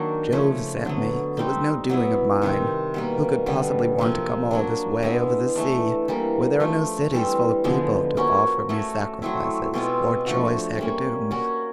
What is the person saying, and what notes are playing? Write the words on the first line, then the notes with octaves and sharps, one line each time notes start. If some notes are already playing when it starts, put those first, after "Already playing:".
Jove sent me; it was no doing of mine; who could possibly want to come all this way over the sea where there are no cities full of people to offer me sacrifices or choice hecatombs?
Already playing: D#3 F#3 A#3 D4
C#3 F3 A3
D3 F#3 B3
G3 C4 D#4
F#3 B3 E4
C3 D#3 G3 C4
B2 G3 A#3
D3 G3 B3
C3 F3 A#3
F#3 A#3 D4
G#3 B3 E4
E3 A3 D4
E3 G3 A#3
F3 A3 D4
E3 G3 C4
D3 F3 G#3 B3
F3 A#3 C#4 F#4
A3 C#4 F#4 A4
F#3 A3 C4 E4
B2 G#3 C4 F4
F3 A3 D4 F#4
G3 A#3 C#4
A#3 C#4 F#4